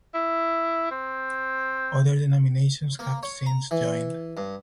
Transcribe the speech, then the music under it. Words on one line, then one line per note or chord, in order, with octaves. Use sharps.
Other denominations have since joined.
E4
C4
A#3
C#5
A#5
E3
G2